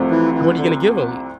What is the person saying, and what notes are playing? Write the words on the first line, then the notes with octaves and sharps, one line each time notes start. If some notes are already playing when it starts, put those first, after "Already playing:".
So what are you gonna give 'em?
Already playing: C2 C3 F3 A3 C4
E3
E3
D3